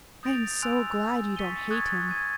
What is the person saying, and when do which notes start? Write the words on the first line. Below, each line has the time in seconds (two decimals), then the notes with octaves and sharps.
"I am so glad you don't hate him."
0.23 D#6 G6 A6 A#6 D7 F7
0.62 G#5 C6 E6 F#6 D7 F7
1.36 C#6 A6 B6 C#7 D#7 G7
1.71 C#6 D#6 F#6 G#6 A6
2.09 G#6 D#7